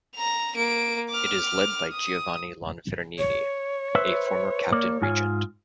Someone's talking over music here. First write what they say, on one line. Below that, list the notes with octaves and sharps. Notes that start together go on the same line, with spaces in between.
It is led by Giovanni Lonfernini, a former Captain-Regent.
A#5 F7
A#3 D7
D6 F6
D#6
C#5
B4 C5 E5
A#3 D5
G#2 F4 G#5